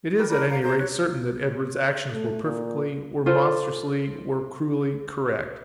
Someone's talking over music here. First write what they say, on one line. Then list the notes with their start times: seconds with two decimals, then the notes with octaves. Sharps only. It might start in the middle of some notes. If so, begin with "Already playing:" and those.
It is, at any rate, certain that Edward's actions were perfectly--were monstrously, were cruelly--correct.
0.16 G4 A#4 B4
0.30 D4 A#4 B5
0.49 F5 A#5
0.62 G#4 C5 A#5 G6
0.77 C#5 F#6
2.12 A3
2.44 A#2
3.26 F4 A4 C5